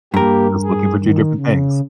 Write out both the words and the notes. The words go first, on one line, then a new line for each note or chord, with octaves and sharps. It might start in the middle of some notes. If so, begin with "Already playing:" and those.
we're just looking for two different things.
G2 A#3 G4 A#4
G#4
D#3
C#3